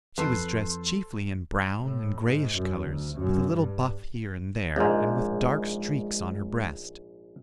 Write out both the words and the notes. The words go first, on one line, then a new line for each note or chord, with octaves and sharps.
She was dressed chiefly in brown and grayish colors with a little buff here and there and with dark streaks on her breast.
F2 A4 B4 C5
A2
G#2
F#2
D2
F#2
G2
A#1 G#2 G#3